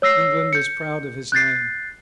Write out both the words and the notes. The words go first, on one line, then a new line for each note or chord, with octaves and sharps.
England is proud of his name.
C#5 E6 A#6 C7
G6 C#7
F#6 G6 A6 C7